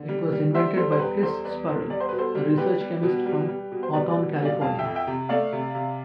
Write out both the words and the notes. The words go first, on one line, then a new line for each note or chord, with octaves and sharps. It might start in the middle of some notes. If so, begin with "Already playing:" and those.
It was invented by Chris Spurrell, a research chemist from Hawthorne, California.
Already playing: D3
G3
G3
G3 C5 E5
G3 A4 C5
C5
E2 G4 B4
G3 A4 C5
E2 B4 D5
E2 A4 C5
G3 D5
C5
B2 B4
A4 C5
G3
G3 G4 B4
G3
B2
G3
G3
B2
C5
G3 B4 D5
B4 D5
B2
G3
D5 F5
F2 F5 A5
E5 G5
F2
E5 G5
C3
A3 D5 F5
C3
C3